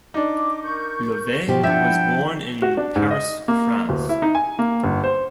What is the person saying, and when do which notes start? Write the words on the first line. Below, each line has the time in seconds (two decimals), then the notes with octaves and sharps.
Levet was born in Paris, France.
0.14 D4 D#4 D6
0.64 A#4 C#6 G6
1.48 B2 F3 G4 C5
1.64 F3 D4 E4 E5 F#5 G5
2.62 F#4
2.77 D4
2.96 G#2
3.11 D#5
3.48 A#3
3.89 D1
4.09 E4
4.22 D#4
4.35 G#5
4.59 A#3
4.84 G1
5.04 C5